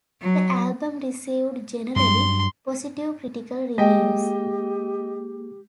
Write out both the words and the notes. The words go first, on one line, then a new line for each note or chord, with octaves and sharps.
The album received generally positive critical reviews.
F#3
G2 F#3 C6
G#3 A#3 G4 G#4 D#5 G5